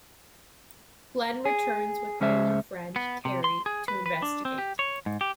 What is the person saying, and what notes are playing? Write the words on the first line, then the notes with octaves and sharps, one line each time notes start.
Glen returns with older friend Terry to investigate.
G#4
C#2 G#3 C#4 G#4 C5 E5
B3
C3
C6
G#4
B4
B4
D4
C4
G4
C#5
G#2
G4